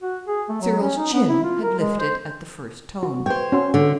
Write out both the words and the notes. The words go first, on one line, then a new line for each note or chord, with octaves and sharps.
Cyril's chin had lifted at the first tone.
F#4
G#4
A3
F#3
C#4
D#4
B3
E4
F4
A#4
G#3
C5
F#4
C5 C#5 G5
C#4 F#4 C6
D3